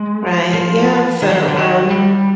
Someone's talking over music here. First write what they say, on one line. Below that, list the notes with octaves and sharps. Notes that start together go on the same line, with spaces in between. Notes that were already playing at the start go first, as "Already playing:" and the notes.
Right, yeah, so, um,
Already playing: G#3
F3
D#3
F3
D#3
D3
D#3
G3